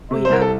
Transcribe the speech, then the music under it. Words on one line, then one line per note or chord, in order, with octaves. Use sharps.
Oh, yeah.
C3
C5
C2 A#4
A4